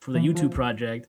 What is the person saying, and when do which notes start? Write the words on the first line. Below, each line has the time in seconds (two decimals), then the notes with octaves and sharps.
for the YouTube project,
0.15 E3
0.35 F3